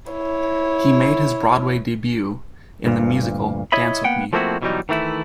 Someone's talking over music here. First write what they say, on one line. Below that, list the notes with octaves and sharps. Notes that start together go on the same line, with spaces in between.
He made his Broadway debut in the musical "Dance with Me".
E4 C#5
D2 G2 A#2
E4 C#5 D#5 E5 B5
A#3 B3 F#5 G5
F3 A3 A#3 C4 E4 F#4
B2 E3 F#3 G3 D#4
D#3 E3 A3 E4